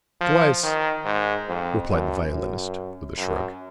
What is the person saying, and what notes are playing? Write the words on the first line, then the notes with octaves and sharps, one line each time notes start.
"Twice," replied the violinist, with a shrug.
F3
D#3
G#2
F2
F#2
F#2
F#2